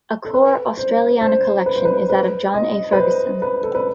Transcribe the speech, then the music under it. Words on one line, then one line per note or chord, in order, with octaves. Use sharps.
A core Australiana collection is that of John A. Ferguson.
A4
B4
C5
C5
B4
C5
B4
B4
D#5
B4
C5
B4
A4
B4